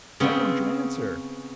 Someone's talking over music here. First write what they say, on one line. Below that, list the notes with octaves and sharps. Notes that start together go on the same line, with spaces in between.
Why don't you answer?
C#3 B3 C4